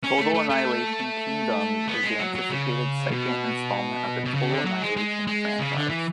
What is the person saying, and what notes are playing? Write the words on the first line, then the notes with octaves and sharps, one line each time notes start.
"Total Annihilation: Kingdoms" is the anticipated second installment of the "Total Annihilation" franchise.
C#4
A3
A3
A3
B3
G#3
F#3
F#3
C#3
B2
B2
C#3
D3
F#3
G#3
G#3
G#3
C#3
D3
E3